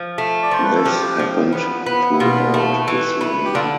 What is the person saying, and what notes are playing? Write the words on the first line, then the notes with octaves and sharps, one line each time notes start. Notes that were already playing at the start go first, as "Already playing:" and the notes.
This happened throughout his reign.
Already playing: F3
A3
D5
F3 C5
B4
A4
F3 G4
F3
B3
B3
E4
B2 F4
A3
E3
B3
G4
D3 F4